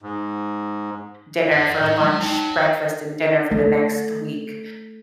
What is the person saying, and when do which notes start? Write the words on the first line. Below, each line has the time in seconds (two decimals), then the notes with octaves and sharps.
dinner for lunch, breakfast, and dinner for the next week,
0.02 G#2
1.52 F2
1.81 A2 F#3
2.00 F3 F#3 G#3
2.20 F#3 D#4 G5 A5
3.51 A3